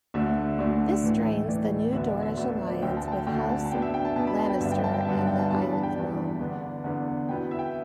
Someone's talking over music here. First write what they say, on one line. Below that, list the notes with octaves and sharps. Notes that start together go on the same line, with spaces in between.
This strains the new Dornish alliance with House Lannister and the Iron Throne.
D2 D3 A3 D4 E5
D2 D3 A3 D4
A2 E3 A3
A2 E3 A3 D5
D2 D3 B3 E5
D5
E5
D2 D3 B3 E5
D5
D2 D3 A3 G5
A5
A5
G5
D2 D3 A3 G5
A5
A5
B2 B3 D4 G5
E5
G5
A5
B2 B3 D4 A5
B5
A5
G5
G2 D3 B3 D4 E5
G5
A5
G5
G2 D3 B3 D4 E5
A5
G5
A5
E2 E3 G3 D4 A5
B5
A5
G5
E2 E3 G3 D4 D5
E2 D3 B3 D4
E2 D3 B3 D4
B2 B3 E4 G5
E5
G5